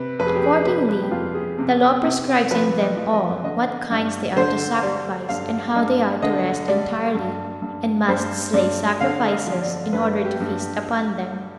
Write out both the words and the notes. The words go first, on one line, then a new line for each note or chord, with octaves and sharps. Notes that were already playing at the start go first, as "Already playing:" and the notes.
Accordingly, the law prescribes in them all what kinds they are to sacrifice, and how they are to rest entirely, and must slay sacrifices, in order to feast upon them.
Already playing: C3 B4
F2 B4
G#4
G4
G#4
C3 B4
B4
G4
F2 F4
G#4
C3
C3
F3 B4
D#5
F3
D#5
D3 D#5
G2
D3 C5
G3 D5
G2 F5
G2 D#5
D3 D#5
G3 D5
G2
G2
G2 C5
G2 D5
D3 F5
D#5
F3
D5
G2 B4
G4
G2